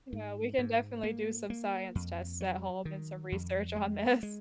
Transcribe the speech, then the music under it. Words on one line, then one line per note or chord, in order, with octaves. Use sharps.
Yeah, we can definitely do some science tests at home and some research on this.
G#2
G#2
A#3
A#3
F2
F#3
D#3
F2
G#3
G#3